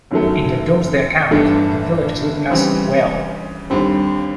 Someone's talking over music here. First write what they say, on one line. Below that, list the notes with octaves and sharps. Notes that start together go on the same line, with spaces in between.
In the "Domesday" account the village is written as "Hwelle".
G1 F#2 D#3 F#3 A3
G1 G2 E3 A3 D4
C#3 E3 G3 C4
D#2 D3 G3 C4